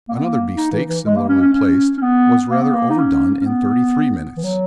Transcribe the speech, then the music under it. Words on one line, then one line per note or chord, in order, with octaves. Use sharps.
Another beef-steak, similarly placed, was rather overdone in thirty-three minutes.
A#3
B3
A#3
D#4
E3
E3
G#3
A#3
C#4
C#4
C#4
C#4
B3
A#3
B3
A#3
D#4
C#4
C#4
B3
E3
F#3